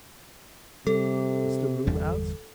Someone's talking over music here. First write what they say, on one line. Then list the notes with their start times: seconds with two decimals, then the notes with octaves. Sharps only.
Mr Bloom asked.
0.87 C3 G3 A4
1.87 G1 E2 G3